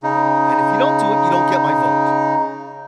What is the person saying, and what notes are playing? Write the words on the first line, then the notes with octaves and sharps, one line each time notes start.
"And if you don't do it, you don't get my vote."
C#3 D#4